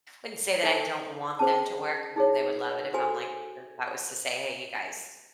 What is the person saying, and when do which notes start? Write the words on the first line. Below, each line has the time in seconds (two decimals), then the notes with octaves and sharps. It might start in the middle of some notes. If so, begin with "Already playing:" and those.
wouldn't say that I don't want them to work. I mean, they would love it if I'm like, er if I was to say, "Hey, you guys,
0.63 D#4 A4 C5
1.39 C#4 G#4 C5 A5
2.16 D#4 G#4 C#5
2.93 F#4 A4 C5 G#5